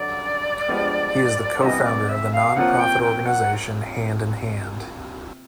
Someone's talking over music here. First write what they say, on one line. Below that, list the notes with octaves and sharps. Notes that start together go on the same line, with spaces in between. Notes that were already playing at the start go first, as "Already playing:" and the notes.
He is the co-founder of the non-profit organization Hand in Hand.
Already playing: F#2 D3 F#3 D5
F3 G#3 B3 D4 G4
C3 E3 G3 B3 D#5 E5
D5
E5
F5
C3 F3 A#3 C#4 F4 F#5
G5
G5
F#5